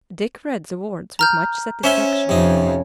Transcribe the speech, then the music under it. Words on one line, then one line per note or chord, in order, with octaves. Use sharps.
Dick read the words with much satisfaction.
A#5 F6 G6
C#4 C5 E5 C6
F2 C3 D#4